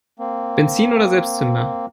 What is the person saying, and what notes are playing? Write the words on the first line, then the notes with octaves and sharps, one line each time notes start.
Benzin oder Selbstzünder?
A#3 C4